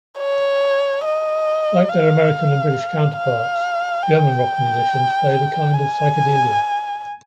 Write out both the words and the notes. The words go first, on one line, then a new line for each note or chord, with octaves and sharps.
Like their American and British counterparts, German rock musicians played a kind of psychedelia.
C#5
D#5
F5
F5
G5
G#5